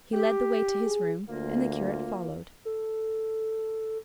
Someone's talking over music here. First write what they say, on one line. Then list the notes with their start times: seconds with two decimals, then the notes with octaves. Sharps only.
He led the way to his room, and the curate followed.
0.14 G4
0.83 G#4
1.28 D2 A#3 F4
2.65 A4